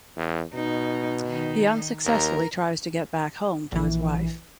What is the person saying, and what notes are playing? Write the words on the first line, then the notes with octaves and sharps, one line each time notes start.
He unsuccessfully tries to get back home to his wife.
E2
B2 D#4
D#3 D#4
D#2 A#4
A#1 E3